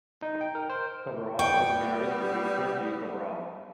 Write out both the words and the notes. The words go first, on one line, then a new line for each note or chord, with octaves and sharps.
Cabral is married to Victor G. Cabral.
D#4
G5
A#4
C5
G3 B3 G5 C#6